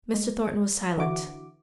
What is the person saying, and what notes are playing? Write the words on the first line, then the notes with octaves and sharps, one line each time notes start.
Mr. Thornton was silent.
G#3
D3 E3 E4 F#4 D6